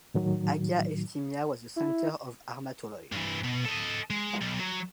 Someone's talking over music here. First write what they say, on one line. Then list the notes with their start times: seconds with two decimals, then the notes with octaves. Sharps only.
Agia Efthymia was a center of armatoloi.
0.14 A2 D#3 F#3
1.76 E4
3.12 G2 E3
3.43 B2
3.65 A4 D#5
4.10 G#3
4.41 B1
4.59 F#3